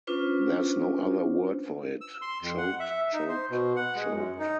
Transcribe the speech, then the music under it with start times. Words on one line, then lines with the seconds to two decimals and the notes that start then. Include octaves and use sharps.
There's no other word for it - choked, choked, choked.
0.07 C#4 D4 F4 B4 C5
2.01 E6
2.22 C6
2.41 F2
2.57 F#5
2.80 E5
3.13 D#4
3.29 C5
3.50 B2
3.76 F#5
3.95 G#3
4.13 F#2
4.39 D#4